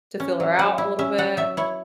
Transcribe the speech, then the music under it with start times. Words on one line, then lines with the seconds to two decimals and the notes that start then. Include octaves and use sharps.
to feel her out a little bit,
0.20 C#4
0.40 F#3
0.59 F#3 F#5
0.78 E4
0.99 C#4 E5
1.18 F#3 F#5
1.37 F#3 E5
1.57 E4 C#5